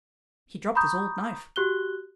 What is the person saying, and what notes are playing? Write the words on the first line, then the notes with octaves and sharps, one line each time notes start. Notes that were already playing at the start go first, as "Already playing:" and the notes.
He dropped his old knife.
A#5 B5 C#6 D#6 G6
F#4 G4 F#6 G7